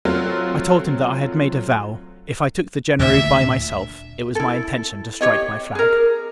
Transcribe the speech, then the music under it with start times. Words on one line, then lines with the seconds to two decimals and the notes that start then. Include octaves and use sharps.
I told him, that I had made a vow, if I took the Genereux by myself, it was my intention to strike my flag.
0.05 F#3 A3 C4 F4
2.99 D2 A#2 E5
4.35 E4 A4
5.21 G4 C#5 D#5
5.75 G#4 A#4